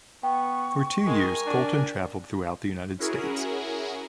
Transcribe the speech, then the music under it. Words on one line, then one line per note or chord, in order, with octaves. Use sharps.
For two years Colton traveled throughout the United States.
B3 G5 C#6
G#3 A#4 G#5
D4
C#4 E4 F#4 G#4 A#4